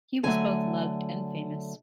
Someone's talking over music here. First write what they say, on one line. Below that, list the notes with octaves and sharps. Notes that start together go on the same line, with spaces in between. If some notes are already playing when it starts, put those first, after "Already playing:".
He was both loved and famous.
D3 F#3 A3 G#5